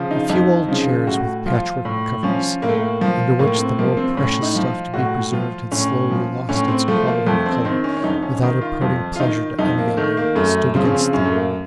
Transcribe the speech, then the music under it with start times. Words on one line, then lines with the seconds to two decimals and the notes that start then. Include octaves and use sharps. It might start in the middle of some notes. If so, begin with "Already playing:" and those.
A few old chairs with patch-work covers, under which the more precious stuff to be preserved had slowly lost its quality of colour without imparting pleasure to any eye, stood against the wall.
Already playing: C#3 F3
0.11 D#4
0.29 F2 D#4
0.68 C#3 F3
1.07 A2 F#4
1.46 F3 F4
1.85 A2
2.23 F3 C#4
2.62 A2 A#3
2.69 A3
2.76 A#3
3.01 F3
3.39 A2 A#3
3.58 C4
3.79 F3 A#3
3.97 C4
4.17 A2 C#4
4.42 D#4
4.55 F3
4.94 A2 F#4
5.32 F3 F4
5.71 A2 C#4
6.11 F3
6.49 A2 C#4
6.68 C4
6.88 F3 A3
7.08 A#3
7.27 F2 A3
7.46 C4
7.65 D#3 C4
7.84 C#4
7.97 C#4
8.04 F2 D#4
8.23 C#4
8.43 D#3 D#4
8.61 F4
8.81 F2 F4
9.16 F4
9.20 D#3 D#4
9.58 F2 D#4
9.79 A#3
9.97 D#3 A3
10.17 A#3
10.35 F#2 A3
10.74 C#3 F3 C4
10.84 C#4
10.94 C4
11.13 F#2 C#4
11.25 A3
11.32 A#3